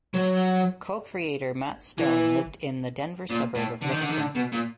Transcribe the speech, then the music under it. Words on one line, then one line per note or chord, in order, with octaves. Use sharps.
Co-creator Matt Stone lived in the Denver suburb of Littleton.
F#3
E3
A#2
A2
D3
D#3
D3
D#3
D3
B2
A#2